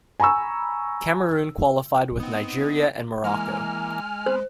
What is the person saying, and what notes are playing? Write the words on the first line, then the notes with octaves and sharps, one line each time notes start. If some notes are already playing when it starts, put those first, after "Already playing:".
Cameroon qualified with Nigeria and Morocco.
G#5 A#5 B5 C#6 E6
B3 C4 D#4
E3 G#3 A#3 G#5 F6
B3 C4 C5